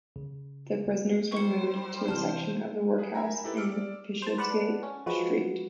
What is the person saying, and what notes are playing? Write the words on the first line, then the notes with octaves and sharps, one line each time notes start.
The prisoners were moved to a section of the workhouse in Bishopsgate Street.
C#3
G3 C5 C#6 C#7
C3 E3 A5 F6
G#4 B4
A#4 E5 G5 G#5 A#5 B5
D#4 E4 G4 A4 B4
D6 E6 F6 D7
D5
C5 A5
B4 D5 F#5 A5
C#4
F3 G#3 F#4 B4